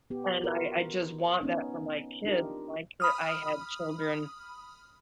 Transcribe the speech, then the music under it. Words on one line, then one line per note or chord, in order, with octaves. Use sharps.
and I I just want that for my kids. My ki I had children
B3 G4
F4 F#4 A#4 B4
B3 C#4 D#4
D4 D#4 F4 G4 A#4
B5 D#6 F6